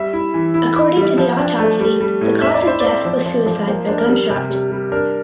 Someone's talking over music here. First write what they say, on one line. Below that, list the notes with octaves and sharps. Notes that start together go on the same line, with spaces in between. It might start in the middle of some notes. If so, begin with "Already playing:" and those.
According to the autopsy the cause of death was suicide by gunshot.
Already playing: G3 E5
E4
E3
E4
E4
G3
F3
D4
A3
G3
G3
A2
C4 E5
D5
E4 C5
C4 D5
F3
F3
F3
A#3 C5
D4 C5
A#4
G3
C3
G3
G3
D4 A#4